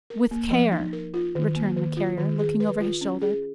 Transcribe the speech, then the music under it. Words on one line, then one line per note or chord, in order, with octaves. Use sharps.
"With Care," returned the Carrier, looking over his shoulder.
A#4
A#3
F3
D#4
A#4
F4
D#3
A#3
D#3
F4
D#3
G#4
B4
F4
C#4
G#4